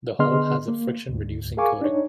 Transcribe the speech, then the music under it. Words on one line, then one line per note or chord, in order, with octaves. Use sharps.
The hull has a friction-reducing coating.
D3 B3 G#4 D#5 C6 F6
A#3
D2 G#2
G#4 A#4 F5 G#5 C#6 D6
D4 D#4 C#5